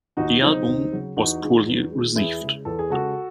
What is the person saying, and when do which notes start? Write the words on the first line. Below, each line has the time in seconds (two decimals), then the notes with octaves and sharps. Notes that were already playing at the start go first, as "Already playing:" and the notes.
The album was poorly received.
0.17 D#2 D#4 F#4
0.42 C#3 F#3 C4 D#4
0.67 D#2
0.92 C#3 F#3
1.17 E2 D#4 F#4
1.41 D#3 G#3
1.66 E2
1.90 D#3 G#3
2.16 E2 E4 G#4
2.41 C#3 G#3
2.65 E2 A4
2.79 G#4
2.90 C#3 G#3 F#4 A4